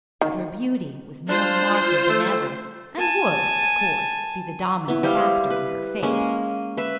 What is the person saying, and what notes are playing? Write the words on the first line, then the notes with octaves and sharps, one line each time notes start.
But her beauty was more marked than ever, and would, of course, be the dominant factor in her fate.
D#3
D4 F4 C5
A3
G#5 A5
B3 E4
G3 E4 C5 F5
B4
G#3 A#3 C#4
B4 E5